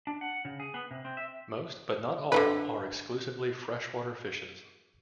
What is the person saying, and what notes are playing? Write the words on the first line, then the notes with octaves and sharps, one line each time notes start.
Most but not all are exclusively freshwater fishes.
D4
F#5
C#3
G#4
B3
C3
C4
E5
D3 E3 B4